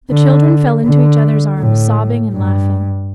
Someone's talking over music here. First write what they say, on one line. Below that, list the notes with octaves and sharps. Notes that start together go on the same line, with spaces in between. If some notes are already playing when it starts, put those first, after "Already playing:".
The children fell into each other's arms, sobbing and laughing.
D3
D3
A2
G2